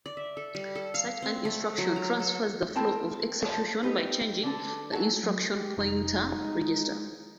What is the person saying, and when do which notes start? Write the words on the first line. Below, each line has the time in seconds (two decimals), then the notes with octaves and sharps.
Such an instruction transfers the flow of execution by changing the instruction pointer register.
0.06 D5
0.17 E5
0.37 A4
0.55 G3
0.75 A4
0.94 F5
1.22 C4
1.45 A3
1.78 F#3
1.96 A#5
2.20 A4
2.75 C4 E4 A#4 A5
3.44 F3 A4
3.83 D#4 G4 B4 C5
4.43 D3 A4
4.92 F#3 E4 F#4 G#4 A4
5.24 F#3
5.56 G#3 G4
5.77 F1 D#4
6.44 G#3